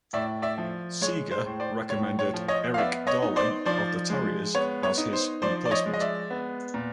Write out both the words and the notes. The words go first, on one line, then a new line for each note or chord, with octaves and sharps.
Seeger recommended Erik Darling of The Tarriers as his replacement.
A2 D5 E5
D5 E5
F3
G#3 C#5
C5
A2
C5 D5
A2 C#5
C#5
F3
C#5 D#5
F5
B3 D5 E5
C#5 D#5
D#4
C5 D5
F3 C5 D5
G#3
B3 C#5
C#5
D#4
C5
F3 C5 D5
D5
C#5 D#5
G#3
D#5
D5 E5
B3
A#2